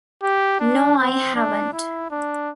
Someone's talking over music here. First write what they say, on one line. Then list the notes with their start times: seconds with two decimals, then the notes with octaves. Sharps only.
No, I haven't.
0.23 G4
0.60 D4
0.98 C4
1.36 D4
1.73 E4
2.10 D4